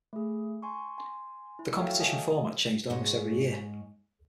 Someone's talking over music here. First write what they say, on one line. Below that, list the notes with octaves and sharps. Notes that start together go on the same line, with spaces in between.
The competition format changed almost every year.
A3 G#4
G#5 C6 C#6
G#5 C6
E4
F#4 A4 C#5 E5 F5 G5
D#5 G#5 A5 D#6
G#2 G#3 C#4 C#5